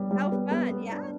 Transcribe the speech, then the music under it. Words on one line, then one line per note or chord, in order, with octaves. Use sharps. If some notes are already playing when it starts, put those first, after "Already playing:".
How fun, yeah.
Already playing: G3 B3
G3
B3
B3
B3
D4